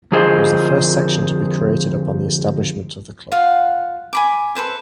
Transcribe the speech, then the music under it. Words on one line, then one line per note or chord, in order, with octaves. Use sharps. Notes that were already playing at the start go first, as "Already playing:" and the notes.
It was the first section to be created upon establishment of the club.
F2 D3 F4 G#4 C5 D#5
F4 F5 F#5
G#5 B5 D6
A4 B4 C5 E5